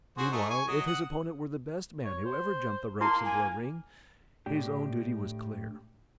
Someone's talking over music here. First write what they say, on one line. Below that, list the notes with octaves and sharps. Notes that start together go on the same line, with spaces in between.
Meanwhile, if his opponent were the best man who ever jumped the ropes into a ring, his own duty was clear.
F#4 G#4 C5
A3 D#4 G#4
G#5 C#6
F#3 D#5
F#5 D#6
C#5
C5
A#3 E4 A5 A#5 C6
G#5
A2 D4 G4